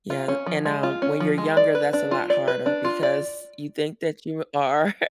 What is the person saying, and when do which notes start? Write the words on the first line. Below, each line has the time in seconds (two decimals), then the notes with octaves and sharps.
Yeah and, um, when you're younger that's a lot harder because you think that you are,
0.10 F4
0.28 C#4
0.46 F3
0.65 G#3
0.83 F4
1.02 C#4
1.20 F3
1.38 G#3
1.57 D5
1.75 B4
1.93 D4
2.11 F4
2.30 D5
2.48 B4
2.66 D4
2.85 F4
3.03 D5